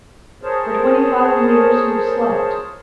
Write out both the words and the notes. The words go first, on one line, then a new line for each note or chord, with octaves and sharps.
For twenty-five years you have slept.
G#4 A#4 C5 C#5 A5